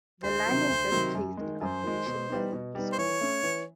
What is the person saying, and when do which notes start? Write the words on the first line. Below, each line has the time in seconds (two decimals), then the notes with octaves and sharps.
The line was then placed in operation by the Frisco.
0.23 D2 C5
0.46 C3 D#3 F#3
0.69 D2
0.92 C3 D#3 F#3
1.15 F#2
1.37 D#3 G#3
1.61 F#2 C5
1.83 D#3 G#3
2.06 B2
2.30 G3 B3 D#4
2.53 B2
2.75 G3 B3 D#4
2.92 C5
2.98 E3 C#5
3.21 A3 C#4
3.43 E3